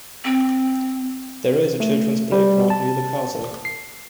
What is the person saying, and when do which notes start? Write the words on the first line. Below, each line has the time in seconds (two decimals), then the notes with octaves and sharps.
There is a children's playground near the castle.
0.24 C4
1.80 A3
2.32 G3
2.70 A5
3.65 C7